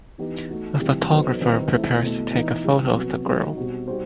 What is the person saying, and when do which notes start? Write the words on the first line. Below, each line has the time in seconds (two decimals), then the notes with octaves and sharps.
A photographer prepares to take a photo of the girl.
0.18 E3 B3 D#4 G4
0.50 A3 D#4 F#4
0.80 C3 E3 G3
1.10 F#3 B3 D#4 A4 C5
1.41 D#3 G3 C4 E4 B4
1.72 D#3 A3 C4 E4 A4
2.03 B2 A3 E4
2.34 E3 B3 D#4
2.64 G3 B3 E4
2.95 C3 F#3 B3 F#4
3.25 G3 D#4 F#4
3.57 B2 G3 C4 F#4
3.88 G3 D#4 F#4 C5